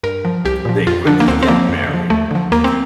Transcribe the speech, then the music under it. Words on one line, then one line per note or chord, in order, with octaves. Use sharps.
They quickly get married.
G2 A#4
F3
C2 G4
A#2 F3
F2 F4
D3 F3 D4
A#3
D2 C4
C4
D3 F3 A#3
F2
D3 F3
D#2 A3
D3 F3
D#2 A#3
C4